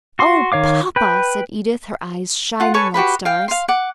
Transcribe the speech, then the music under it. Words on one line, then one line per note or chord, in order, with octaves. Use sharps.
"Oh, Papa!" said Edith, her eyes shining like stars.
F#4 C6
D#3 C#5 F5 D6
B4 G5
F4 F#5
A4 B4 C#5 G#5
F#4 G4 B4 B5
F5 G5
F5 C6
F#5 D6